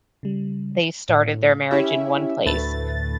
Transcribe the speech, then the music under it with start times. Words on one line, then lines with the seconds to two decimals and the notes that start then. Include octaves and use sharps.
they started their marriage in one place.
0.23 C#3 G3
1.09 A2
1.71 C#4 E4 G4 E5
2.46 D2 A2 A3 B4 A6